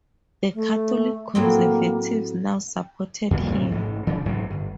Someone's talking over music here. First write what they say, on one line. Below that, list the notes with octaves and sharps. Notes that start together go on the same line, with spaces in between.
The Catholic Conservatives now supported him.
A3
A2 F#3 A#3 C4
F2 A#2 G3
A2 C3 E3 G3
A1 G#2
C#3 F3 D4
A1 G#2 C3 F#3
G1